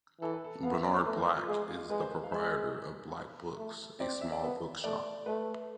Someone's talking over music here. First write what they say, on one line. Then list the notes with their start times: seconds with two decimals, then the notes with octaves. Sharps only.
Bernard Black is the proprietor of Black Books, a small bookshop.
0.21 E3 A4
0.33 B4
0.44 A4
0.63 B3 F5
0.74 E5
0.85 D5
0.95 C5
1.06 A3 B4
1.18 C5
1.27 B4
1.37 F4
1.48 G#3 G#4
1.69 F4
1.90 G#3 B4
2.01 C5
2.11 B4
2.24 F5
2.32 G#3 E5
3.58 A3
4.00 C4 D5
4.21 E5
4.32 D5
4.42 B3 E5
4.84 A3 D5
5.26 A3 B4